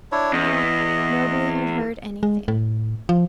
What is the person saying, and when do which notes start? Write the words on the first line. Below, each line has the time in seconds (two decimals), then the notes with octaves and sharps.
No, nobody had heard anything.
0.12 D4 E4 C#5
0.33 E2 D#5
2.23 G#3
2.48 A2
3.09 F3